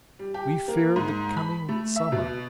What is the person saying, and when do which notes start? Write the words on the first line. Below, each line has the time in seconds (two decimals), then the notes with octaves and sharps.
We feared the coming summer.
0.19 G3
0.34 G4
0.68 A#3
0.96 G#2
1.37 B5
1.69 A3
1.96 E5
2.12 B2